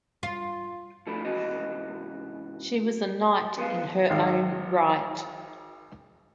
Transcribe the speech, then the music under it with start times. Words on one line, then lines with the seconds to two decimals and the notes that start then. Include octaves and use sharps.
She was a knight in her own right.
0.23 F4
1.07 F3 A3 D4 E4
1.25 G#2 C3 E3 C#4 F#4 D#5
3.57 F2 B3 E4 B4 F5
4.09 G#1 F5